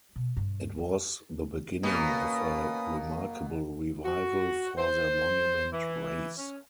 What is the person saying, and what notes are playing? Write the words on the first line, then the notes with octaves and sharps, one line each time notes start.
It was the beginning of a remarkable revival for the Monument race.
B2
G2
A3
B2 A#3 C#4 B4 D#6
F#4
C5
E3
C#4